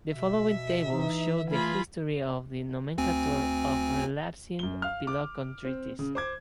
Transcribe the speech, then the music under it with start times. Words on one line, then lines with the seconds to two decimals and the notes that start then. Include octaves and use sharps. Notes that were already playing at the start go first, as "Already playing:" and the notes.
The following table shows the history of the nomenclature of Relapsing polychondritis.
0.13 B2 E5
0.91 E3 D#4
1.50 A3 F4 G#4 B5
2.98 D2 C4 G#5
4.59 F#2 G7
4.82 F5 F6
5.07 D6
5.65 C4
5.99 C#3
6.15 C5 D6 G#6